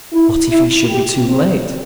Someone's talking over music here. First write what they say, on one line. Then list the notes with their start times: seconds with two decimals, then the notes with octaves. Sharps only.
What if he should be too late?
0.13 E4
0.51 E4
0.89 G4
1.27 C4